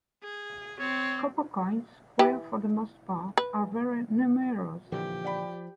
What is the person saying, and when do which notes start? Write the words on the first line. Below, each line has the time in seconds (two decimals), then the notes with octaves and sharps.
Copper coins, square for the most part, are very numerous.
0.23 G#4
0.79 C4 C#5
2.19 E3 G4 B4
3.37 B4
4.92 A#2 D3 E3 F3 G4
5.24 D5 G5 B5